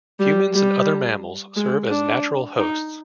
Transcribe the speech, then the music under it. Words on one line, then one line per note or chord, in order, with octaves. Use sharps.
Humans and other mammals serve as natural hosts.
G3
G3
G#3
D4
D#4